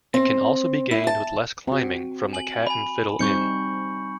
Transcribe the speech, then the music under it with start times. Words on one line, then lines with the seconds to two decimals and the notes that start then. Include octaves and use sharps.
It can also be gained with less climbing from the Cat and Fiddle Inn.
0.14 C4
0.91 E4
1.07 A5
1.68 C4 F#4
2.33 G#5 F#7
2.67 G#5 B5
3.19 G3 C4 D#4 C#6 G6 C#7